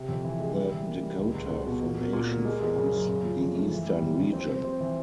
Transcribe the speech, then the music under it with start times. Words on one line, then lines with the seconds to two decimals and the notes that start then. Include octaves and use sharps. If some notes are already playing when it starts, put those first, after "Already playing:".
The Dakota Formation forms the eastern region.
Already playing: C3
0.09 F2
0.25 E3
0.40 G#3
0.56 G3
0.72 E3
0.87 A#3
1.03 G3
1.19 C#2
1.34 C#2
1.50 C#2
1.66 B2
1.82 A#2
1.98 A#3
2.13 A#2
2.29 A#3
2.45 G#3
2.60 G#3
2.76 C#3
2.92 F#2
3.08 C#3
3.23 F3
3.39 F2
3.55 A3
3.70 E3
3.86 G3
4.02 F2
4.18 F2
4.33 C4
4.49 C4
4.64 C4
4.80 E3